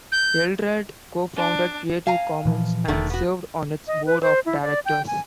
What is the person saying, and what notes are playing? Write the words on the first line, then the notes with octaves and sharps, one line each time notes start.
Eldred co-founded Creative Commons and served on its board of directors.
G6
D4
F5 G#5 A#5
A#2 E3 F3
E1 D3 D#3 A3
B3 F#4
D#5
B4
C5
E4
D5
G5
G#5